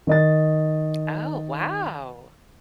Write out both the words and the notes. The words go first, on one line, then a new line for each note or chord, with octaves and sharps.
Oh, wow.
D#3 D#5 A6